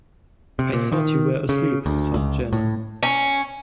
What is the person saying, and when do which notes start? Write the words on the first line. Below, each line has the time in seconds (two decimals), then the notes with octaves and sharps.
"I thought you were asleep," sobbed Jenna.
0.59 C3
0.73 A#2
0.92 D#3
1.49 C#3
1.86 D2
2.14 C#2
2.53 A2
3.03 C#4